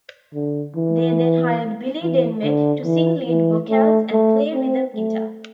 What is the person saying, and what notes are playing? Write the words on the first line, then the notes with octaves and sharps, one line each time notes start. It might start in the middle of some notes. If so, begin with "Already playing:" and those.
They then hired Billy Denmead to sing lead vocals and play rhythm guitar.
D3
E3
E3
D3
E3
E3
A3
A3
C4
A3